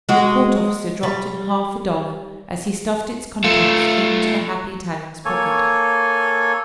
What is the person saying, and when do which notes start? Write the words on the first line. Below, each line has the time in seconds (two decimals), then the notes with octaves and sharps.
The court officer dropped in half a dollar as he stuffed its contents into the happy Italian's pocket.
0.09 G#3 F#4
1.03 G3
3.44 A3 F4
5.25 A#3 A4 C#5 G#5